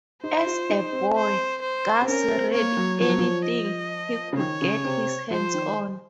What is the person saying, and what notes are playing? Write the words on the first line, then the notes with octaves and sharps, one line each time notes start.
As a boy, Gass read anything he could get his hands on.
D#4 C5
F4
D#4
C4
C5
C5
C4
C#4 A#4
C4
A#3 C#5
F#3
F3 C#5
F#3
F3
D#5
C#3
D#3 C#5
C#3
C3
F3 C5
D#3